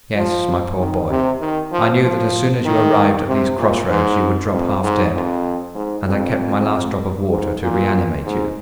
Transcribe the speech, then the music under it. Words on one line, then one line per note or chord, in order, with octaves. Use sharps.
"Yes, my poor boy, I knew that as soon as you arrived at these cross roads you would drop half dead, and I kept my last drop of water to reanimate you."
F3
D#3
C3
D#3
F3
F3
D#3
C3
A#2
G#2
F2
G#2
F2
G#2
F2
G#2
A#2
G#2